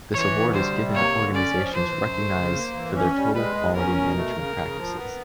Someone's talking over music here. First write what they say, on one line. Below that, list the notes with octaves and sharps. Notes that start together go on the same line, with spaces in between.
This award is given to organizations recognized for their total quality management practices.
E3 C#5
D2
G3 C5
C3
A#3 C#5
D3
C#4 D5
F3
E3 C5
F#2
A3
C#3
A#3
E3
C#4
G3
G#3 B4
E2
C#4 A#4
B2
A3
C#3
C#3
F3
B3